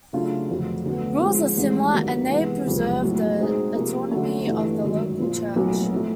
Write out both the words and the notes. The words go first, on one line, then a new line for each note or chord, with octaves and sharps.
Rules are similar and they preserve the autonomy of the local church.
C#3 F#3 A3 D4 F4
F1 F2 D3 F#3
D2 D3 F#3 B3
G#2 F3 G#3 C#4
A1 G#2 F3 G#3 C#4
G2 D#3 F#3 A#3
C3 E3 G#3 B3
F#1 F2 C3 F3 G#3
B1 A2 F#3
B2 G#3 C4 D#4 G#4
C3 F3 A#3
D3 F#3 A3
G1 G2 E3 A3
G#1 F#2 D#3
A#1 A#2 F3
B1 A2 F#3 A#3 C#4
A2 F3 A3